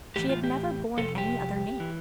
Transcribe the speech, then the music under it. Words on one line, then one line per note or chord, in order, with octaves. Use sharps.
She had never borne any other name.
A2 E3 G4
F4
G4
F2 C3 A4
G4
E3